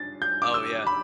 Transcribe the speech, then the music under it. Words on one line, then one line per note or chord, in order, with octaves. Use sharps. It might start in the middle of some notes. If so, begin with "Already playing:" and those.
Oh, yeah.
Already playing: D4 A6
G6
D6
E6
B5